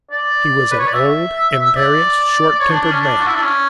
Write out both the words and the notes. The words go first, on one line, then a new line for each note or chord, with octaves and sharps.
He was an old, imperious, short-tempered man.
D5
B4
C#5
D5
E5
E5
D5
D5
C#5
D4
D4
C#4
D4
F#4
E4
D4
C#4